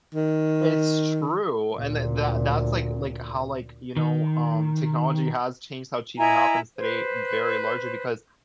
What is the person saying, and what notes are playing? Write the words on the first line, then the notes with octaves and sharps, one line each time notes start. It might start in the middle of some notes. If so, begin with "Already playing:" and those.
It's true, and tha that that's like like how, like, you know, um, technology has changed how cheating happens today very largely because
D#3
D2 A#2
D#3
E4 D#5 G#5 A#5
B4 C5